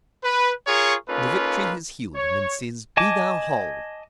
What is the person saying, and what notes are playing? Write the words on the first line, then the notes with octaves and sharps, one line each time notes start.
The victory has healed him, and says--Be thou whole!
B4
F4 G#4 A#4 C#5 C#6
A#3 C#4 D#4 F4 A4 B4
C#5
D#5 G#5 A5 D6